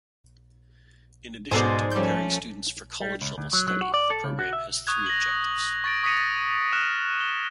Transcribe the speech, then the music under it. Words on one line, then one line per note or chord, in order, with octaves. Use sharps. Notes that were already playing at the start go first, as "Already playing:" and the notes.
In addition to preparing students for college-level study, the program has three objectives.
G#2 B2 G#3 B3 A4 C5 D5 G#5
F3 G3 A3 C#4 G6
G3
C#2
D2
F#3
F#3
F#4
D5
A4
C#3
F#4
E5
C#6 D#6 F#6 G#6
A#6 F#7
C#6 A6 A#6 D7
C#6 D#6 A#6 B6 C#7 D#7
D#6 F6 F#6 E7
G7